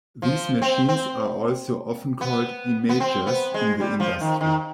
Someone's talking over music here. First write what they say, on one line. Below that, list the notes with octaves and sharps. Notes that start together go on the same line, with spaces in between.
These machines are also often called "imagers" in the industry.
F3
C4
C4
B3
B3
C4
B3
G#3
G3
F3
D#3
D#3